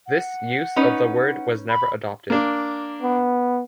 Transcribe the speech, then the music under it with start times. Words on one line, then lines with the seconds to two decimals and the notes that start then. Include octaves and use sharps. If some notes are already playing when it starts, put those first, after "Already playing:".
This use of the word was never adopted.
0.07 F#5
0.76 C#4 D#4 B4
1.69 B5
2.30 A#3 D4
3.03 B3